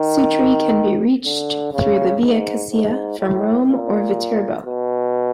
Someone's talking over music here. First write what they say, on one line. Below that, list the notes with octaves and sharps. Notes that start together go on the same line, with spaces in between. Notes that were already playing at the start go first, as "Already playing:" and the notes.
Sutri can be reached through the Via Cassia from Rome or Viterbo.
Already playing: D#3
D3
C#3
G#2
G#2
A2
A#2
B2